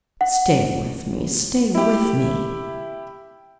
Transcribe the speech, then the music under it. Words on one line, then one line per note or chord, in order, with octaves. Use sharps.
Stay with me, stay with me!
F#5
E4 G4